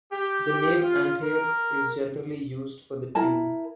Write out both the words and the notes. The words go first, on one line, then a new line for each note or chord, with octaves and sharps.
The name "Antioch" is generally used for the tune.
G4
F4
A#4
E4 A#4 A5